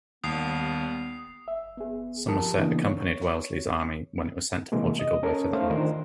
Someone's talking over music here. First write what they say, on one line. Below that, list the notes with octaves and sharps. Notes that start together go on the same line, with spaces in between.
Somerset accompanied Wellesley's Army when it was sent to Portugal later that month.
D#2 G3 B3 D#6 C7
E5
B3 G#4
F3 G4 A#4 A5 D#6
C#3 E3 A#3 B3 D4 E4
C#5
C3 E3 G#3 A#3
D#5
C#4 A4 A#4 C#5
A3 D#4 C5 F5
D#3 D4 F4 A#4 C5